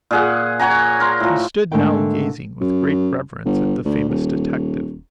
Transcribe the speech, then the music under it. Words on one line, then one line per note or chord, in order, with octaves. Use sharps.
He stood now gazing with great reverence at the famous detective.
A#2 G#4 F#5
C#5 F#5 G#5 A#5
A#4 C6
A2 F3
G#2 D3 A3 A#3 G5
F#2
G1
D2
D#1